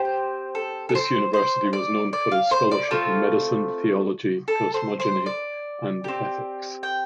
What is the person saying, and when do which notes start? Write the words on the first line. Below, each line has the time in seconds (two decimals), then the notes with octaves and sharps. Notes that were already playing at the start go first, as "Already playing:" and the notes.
This university was known for its scholarship in medicine, theology, cosmogeny and ethics.
Already playing: C4 G4 C5
0.55 A4
0.89 A4
0.95 C5
1.33 C5
1.73 D5
2.13 D5
2.31 F5
2.51 C5
2.71 D5
2.91 A3 C4 F4
4.48 A4
4.74 C5
5.00 C5
5.26 D5
6.04 C4 G4
6.83 G5